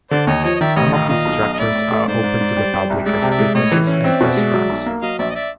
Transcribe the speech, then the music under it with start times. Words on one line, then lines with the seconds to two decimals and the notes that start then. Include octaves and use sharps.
Some of these structures are open to the public as businesses and restaurants.
0.11 D3 C5 D5
0.27 D#2 C#5 D#5
0.44 F3 C#5 D#5
0.55 D#5
0.61 D#3 D5 E5
0.76 A1 C#5 D#5
0.93 D#3 D#5 F5
1.09 A#2 D#5 F5
1.25 B1
1.43 B1
1.53 D#5
1.58 A2 D5 E5
1.75 A2
1.91 A3
2.08 G#2 C5 D5
2.24 G#2
2.41 G#2
2.57 G3
2.74 G3
2.90 C2
3.06 G#3 D5 E5
3.22 C3
3.31 D5 E5
3.38 G#3
3.55 A2 C#5 D#5
3.72 E3
3.87 C#4
4.04 C4 D5 E5
4.21 B2
4.37 G#3
4.54 F#3
4.70 B1
4.86 A#3
5.02 F#3 D#5 F5
5.19 A#1 D5 E5
5.31 D#5
5.35 D5 E5